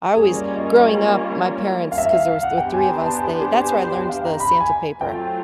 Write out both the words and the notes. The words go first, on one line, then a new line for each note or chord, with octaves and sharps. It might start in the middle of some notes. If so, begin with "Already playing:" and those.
I always Growing up, my parents 'cause there was th three of us, they that's where I learned the Santa paper.
G3 A#3 C#4 F4 G#4 A#4
D5
D#5
D#5
F5
E5
F5
F5
F#5
B3 D4 G4 C5 G5
G#5
A#5
A5
G#5
A5
G#5
G#5
G5
G5
F5
A#5
B5
G#5
F#3 A3 C4 F4 G5